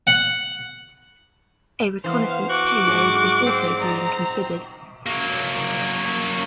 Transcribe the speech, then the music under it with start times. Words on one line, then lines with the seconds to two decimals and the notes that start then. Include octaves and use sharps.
A reconnaissance payload is also being considered.
0.07 F#5
2.04 E3 B3 C5 F5
2.49 F#4 D6
2.86 G#2 F#3 G#3
3.47 C4
3.81 D#5 A5 A#5
5.07 F#3 A#3